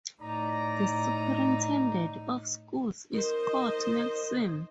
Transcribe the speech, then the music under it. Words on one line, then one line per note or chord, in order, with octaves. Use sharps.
The superintendent of schools is Scott Nelson.
A2 D#4 D5 A#5
D#4 A#4 C5 D#5